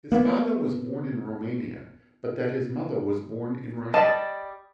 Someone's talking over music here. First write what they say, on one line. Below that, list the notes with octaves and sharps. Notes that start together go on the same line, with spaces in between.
His father was born in Romania but that his mother was born in Russia.
A#3 B3
G3 D5 D#5 A5